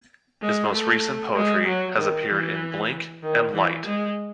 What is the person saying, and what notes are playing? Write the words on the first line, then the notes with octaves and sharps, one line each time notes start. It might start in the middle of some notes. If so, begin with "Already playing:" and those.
His most recent poetry has appeared in "Blink" and "Light".
G#3
A3
G#3
F#3
D#3
E3
D#3
E3
G#3